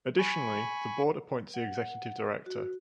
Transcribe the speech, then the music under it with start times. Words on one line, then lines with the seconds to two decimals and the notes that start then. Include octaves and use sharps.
Additionally, the Board appoints the Executive Director.
0.19 G#5 B5 C#6
1.54 F#5
2.46 F#4